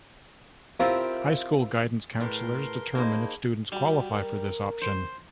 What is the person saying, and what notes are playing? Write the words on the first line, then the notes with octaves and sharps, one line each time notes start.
High school guidance counselors determine if students qualify for this option.
C4 E4 F4 G4 A#4
A2 G#4 A#4 B4 A5 C6
A#3 D#4 G#4 C5 A5 B5
G3 F#4
A#4
C5